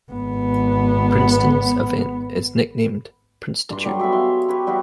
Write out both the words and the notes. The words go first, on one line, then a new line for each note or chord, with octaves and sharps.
Princeton's event is nicknamed Princetitute.
G#1 B3
G2 C6
F#3 G3 A4
B3 G#4 E5 D6
E5 F5 C6
G4 B4 C#5
G3 B3 E4 F#4